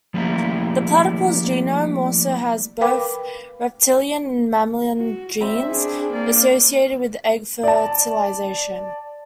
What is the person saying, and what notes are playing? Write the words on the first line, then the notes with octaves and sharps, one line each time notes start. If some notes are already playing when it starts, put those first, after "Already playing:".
The platypus genome also has both reptilian and mammalian genes associated with egg fertilisation.
F3 G3 A3 A#3 E4
A#4 B4 F5 G5 B5 D6
F#4
C4 D5 E5 B5
D4 G#4
A#3 D5
D5 A5